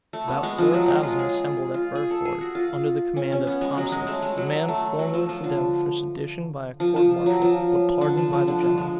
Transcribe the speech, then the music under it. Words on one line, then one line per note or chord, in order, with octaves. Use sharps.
About four thousand assembled at Burford, under the command of Thomson, a man formerly condemned for sedition by a court martial, but pardoned by the general.
A3
B3
G#3
F3
F#3
G#3
F4
G#4
G#4
F4
G#4
A4
G#4
F#4
F4
C#4
C#4
B3
G#3
F#3
G#3
A3
G#3
F#3
A3
F#3
F3
F3
D3
F3
F3
F#3
F3
D3
F3
F3
D3
F3
G#3